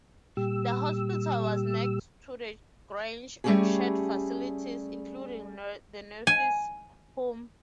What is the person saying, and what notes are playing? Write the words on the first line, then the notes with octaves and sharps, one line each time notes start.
The hospital was next to the Grange and shared facilities, including the nurses' home.
A#2 G3 G4 E6
G3 A3 B3 C#4 G4 G#4
G#5